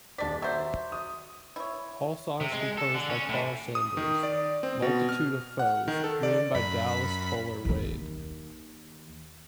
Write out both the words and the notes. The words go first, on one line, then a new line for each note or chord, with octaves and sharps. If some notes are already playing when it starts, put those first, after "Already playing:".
All songs composed by Karl Sanders, "Multitude of Foes", written by Dallas Toler-Wade.
D#1 D4 D5 B6
F#3 C5 E5
D#6
E4 C#5
C3
G#3
A4
D3
C#4
A2
D#6
D#3
D5
C4
B2
F6
F#5
D#3
A4
D5
F#2 B5 B6
D#2 D#3